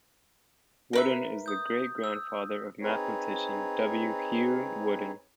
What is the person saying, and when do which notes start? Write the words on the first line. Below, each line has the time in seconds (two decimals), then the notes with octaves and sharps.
Woodin is the great-grandfather of mathematician W. Hugh Woodin.
0.93 A#4 B4 E5
1.46 D#6 G6
2.04 E6
2.80 C4 D#4 G#4 B4 C#5